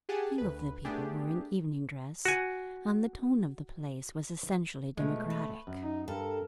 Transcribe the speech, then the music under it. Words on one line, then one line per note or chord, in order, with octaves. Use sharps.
Few of the people were in evening dress, and the tone of the place was essentially democratic.
G4 G#4 F#5 G#5 A5
D2 B4
A3 B3 D4 G4 G#4
F#4 G#5
B2 F3 G#3 A3
B4
F#2
D#4
G2 A4 A#4